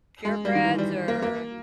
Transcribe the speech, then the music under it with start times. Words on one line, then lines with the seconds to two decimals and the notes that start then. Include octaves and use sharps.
purebreds or
0.25 G#3
0.45 G3
0.55 D#3
0.64 E3
0.78 G3
1.08 A#3
1.22 A#3